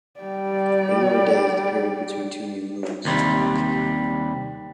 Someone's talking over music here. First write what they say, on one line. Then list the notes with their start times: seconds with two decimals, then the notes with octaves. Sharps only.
A lunar day is the period between two new moons.
0.20 G3 D5
3.05 D#2 C3 G3